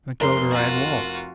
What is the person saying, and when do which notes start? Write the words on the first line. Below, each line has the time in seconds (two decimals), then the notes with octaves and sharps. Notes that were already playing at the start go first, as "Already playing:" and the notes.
I told her I had walked.
0.20 F1 A#4 C6
0.52 F4 F#4